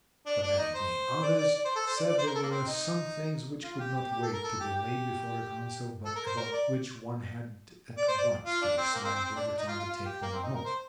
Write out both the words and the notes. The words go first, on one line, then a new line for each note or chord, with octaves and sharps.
But then again others said there were some things which could not wait to be laid before a Council, but about which one had at once to decide whether to undertake them or not.
D4
D4
D#4
C5
D5
D5
D5
C5
A4
C5
D5
D5
C5
A#4
A4
A#3
C4
D#4
F4
G4
G4
G4
A4
A#4
A4
G4
G4
A4
A#4
C5
A#4
D5
D5
C5
D5
F4
D4
C4
A#3
C4
C4
C4
D4
D4
D#4
F4
F4
F4
G4
A#3
C4
D#4
A#4
C5